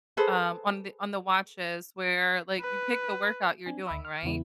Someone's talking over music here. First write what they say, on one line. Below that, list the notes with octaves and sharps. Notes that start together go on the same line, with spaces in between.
um, on the on the watches where, like, you pick the workout you're doing, right?
G#4 A4 B4 C5
B4
C4 D4 G#5
D2 E5 B5 E6
F6
E2 C#3 E3 B3 E4